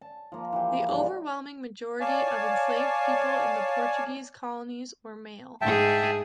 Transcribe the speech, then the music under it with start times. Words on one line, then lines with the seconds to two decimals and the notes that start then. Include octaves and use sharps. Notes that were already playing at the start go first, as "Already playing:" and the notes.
The overwhelming majority of enslaved people in the Portuguese colonies were male.
0.01 A5
0.32 F3 A#3
0.53 E3 F3 G4
0.88 G2 C#3 E3 D6
2.00 C#5 D5 F5 G#5 A5
5.61 G#2 G#4 E5 G5 A5